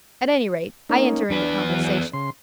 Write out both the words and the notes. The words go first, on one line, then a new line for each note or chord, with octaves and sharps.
At any rate, I enter into conversation.
A#3 C#4 D#4
E2 D4 B4
E3 F#3
C#3 C6